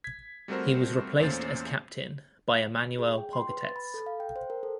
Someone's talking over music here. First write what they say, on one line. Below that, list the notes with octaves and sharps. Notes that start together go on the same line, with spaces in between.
He was replaced as captain by Emanuel Pogatetz.
G#6 B6
G3 A3 C4 F#4 A#4 C5
E2 A#2 A3 C#4 C5 A6
G#4
G5
C6
B4
A6
B5
A4
F5
G5
C5
A#4
A4